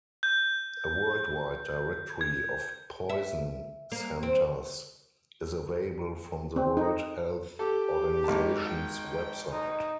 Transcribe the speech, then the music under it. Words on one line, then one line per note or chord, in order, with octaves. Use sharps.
A worldwide directory of poison centers is available from the World Health Organization's website.
G6
G#6
E5
A#3
C4
C4
D#4
G4 A4
G#1 A5
G5
D#4